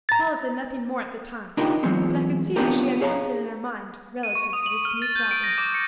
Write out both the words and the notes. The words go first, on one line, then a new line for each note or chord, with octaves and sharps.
Paula said nothing more at the time, but I could see that she had something in her mind relative to this new problem.
A#5 A6
D4 D#4 F4 G4 A#4 B4
E3 F#3 G#3 B3 C4 F4
B3 C4 D4 F4 G4 A#4
G#4 C#5 F5 A5 A#5
D#7
C#6
D#6
F#7
F6
A6
G6
D7
A#6
D6
C#7